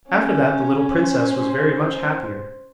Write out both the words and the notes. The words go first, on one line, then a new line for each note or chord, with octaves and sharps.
After that the little princess was very much happier.
C#4
C5